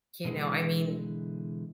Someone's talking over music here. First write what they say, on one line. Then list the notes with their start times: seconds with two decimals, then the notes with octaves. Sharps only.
You know, I mean,
0.25 B2 D3 E3 G#3 G#4